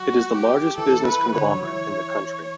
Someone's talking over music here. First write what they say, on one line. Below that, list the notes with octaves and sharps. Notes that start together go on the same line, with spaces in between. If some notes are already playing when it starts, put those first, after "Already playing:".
It is the largest business conglomerate in the country.
Already playing: F#3 F#4
G4
E3 A4
E3 B4
D3 C#5
F#3
E3